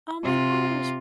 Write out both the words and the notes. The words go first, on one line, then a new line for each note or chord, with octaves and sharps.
Oh my gosh.
C3 F4